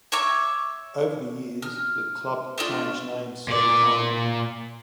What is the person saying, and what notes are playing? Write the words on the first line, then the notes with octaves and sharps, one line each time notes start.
Over the years, the club changed names several times.
C#5 E5 C#6 D6
F6
A3 D4 F4
A#2 D5